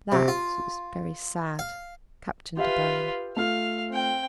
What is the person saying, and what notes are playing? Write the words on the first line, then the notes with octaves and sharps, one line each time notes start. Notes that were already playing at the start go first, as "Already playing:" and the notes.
"That is very sad, Captain De Baron."
C3
F4
F5
F4 G4 B4 E5 F5
A3 F4 F5 F6
C4 G5